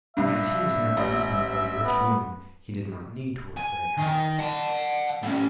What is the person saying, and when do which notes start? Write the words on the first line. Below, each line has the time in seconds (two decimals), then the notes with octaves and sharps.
As he was now the husband of a rich woman he did not need to work very hard.
0.17 C2 G2 E5
0.97 A1
1.84 B3
3.57 G#5
3.97 D#3
4.39 F#5 A5
5.23 A2 C#4